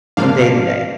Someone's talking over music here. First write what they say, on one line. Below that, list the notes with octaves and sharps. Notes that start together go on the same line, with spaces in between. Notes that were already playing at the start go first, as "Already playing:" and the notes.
from day to day.
G#2 F3 A#3 D4 F5